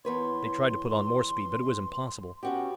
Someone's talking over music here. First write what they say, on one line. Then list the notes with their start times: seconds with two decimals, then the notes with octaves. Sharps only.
They tried to put on more speed, but it was impossible.
0.05 E2 B4 C#5 C6
2.43 B3 C#4 F#4 G4